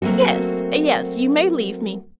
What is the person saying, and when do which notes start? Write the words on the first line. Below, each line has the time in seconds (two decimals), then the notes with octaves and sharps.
"Yes, yes, you may leave me."
0.02 F#3 A3 A#3 C4 F#4